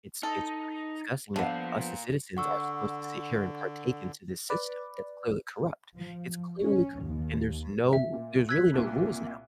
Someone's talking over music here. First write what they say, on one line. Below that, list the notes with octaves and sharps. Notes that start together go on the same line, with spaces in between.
it's it's pretty disgusting that us as citizens are supposed to sit here and partake into this system that's clearly corrupt. It's clearly corrupt, and there's no there's really no rules now.
D#4 A4
A#2 D3 F3 B3 F5
D3 F#5 C#6 E6
B4 D5
F3
C#4
D#2
E5
A#2
E6 F#6 G#6 B6
C2 A#2